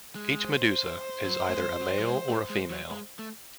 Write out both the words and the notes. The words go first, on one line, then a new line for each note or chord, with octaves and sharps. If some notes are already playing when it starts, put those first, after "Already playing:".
Each medusa is either a male or a female.
G#3
C5
F#3
A3
G#3
F#3
F#3
G#3
A3
G#3
F#3
G#3
A3